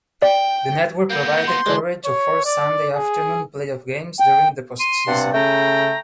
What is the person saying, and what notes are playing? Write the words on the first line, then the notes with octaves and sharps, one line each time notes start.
The network provided coverage of four Sunday afternoon playoff games during the postseason.
D5 G5
A#3 B3 G6
C6
E3 F#3 G#3
C#5
D5
G#4
G5
C6 D#7
G2 C3 F#5
C#3 A3 G5 A#5